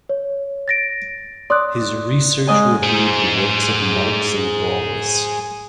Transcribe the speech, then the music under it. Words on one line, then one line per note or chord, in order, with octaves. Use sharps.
His research reviewed the works of Marx and Walras.
C#5
A6 A#6 D7
D5 C6 D#6 F#6
G#2 D#5 G#5
G#4 C5